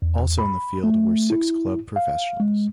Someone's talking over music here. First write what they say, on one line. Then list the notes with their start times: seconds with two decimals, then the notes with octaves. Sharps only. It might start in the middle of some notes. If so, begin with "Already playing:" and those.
Also in the field were six club professionals.
0.02 E2
0.38 B5
0.84 A3
1.30 E4
1.96 F5
2.40 G#3